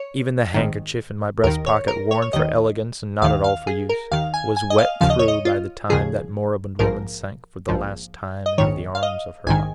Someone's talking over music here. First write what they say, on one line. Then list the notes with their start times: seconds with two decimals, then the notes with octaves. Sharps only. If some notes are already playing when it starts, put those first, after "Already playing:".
Even the handkerchief in my breast-pocket, worn for elegance and not at all for use, was wet through by the time that moribund woman sank for the last time into the arms of her lover.
Already playing: C#5
0.54 G#1 G#2 D#3
1.44 D#2 D#3 A#4
1.66 C#5
1.88 A#4
2.11 C#5
2.22 C#5
2.33 D#2 D#3 D#5
3.22 D#2 D#3 F5
3.44 F5
3.67 G#4
3.89 A#4
4.11 D#2 D#3 F5
4.34 G#5
4.57 G#5
4.70 D#5
4.78 F5
5.01 D#2 C#3 F3 F5
5.10 D#5
5.19 C#5
5.28 D#5
5.45 F4
5.90 D#2 C#3 F3 G#4
6.79 A#1 G#2 F3 A#4
7.69 A#1 G#2 F3
8.46 D#5
8.58 A#1 G#2 D#3 C#5
8.95 F5
9.03 D#5
9.46 A#1 G#2 D#3 G#5